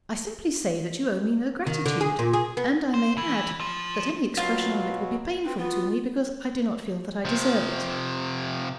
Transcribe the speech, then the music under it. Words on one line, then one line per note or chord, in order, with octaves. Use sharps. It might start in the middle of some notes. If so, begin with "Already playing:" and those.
'I simply say, that you owe me no gratitude; and I may add, that any expression of it will be painful to me, because I do not feel that I deserve it.
D#3
D3
G#4
A#2
G#4
B3
C5
E3
F3
B2 F#3 F4
C4 B4
B3 F4
C3 F3